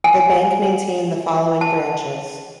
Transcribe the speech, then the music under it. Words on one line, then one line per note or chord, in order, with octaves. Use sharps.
The bank maintained the following branches.
G#5
A5